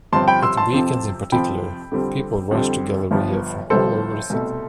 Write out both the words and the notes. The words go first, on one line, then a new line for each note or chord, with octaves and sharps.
At weekends in particular, people rushed to Galleria from all over the city.
G1 G2 F3 C4 A5 C6
G5 B5
C6 E6
A5 C6
F2 C3 F3 C4
F2 C3 F3 C4 G5 B5
F2 D3 G3 C4
F2 D3 G3 C4
G1 G2 F3 B3
G1 G2 F3 B3 A4 C5
C2 B2 A3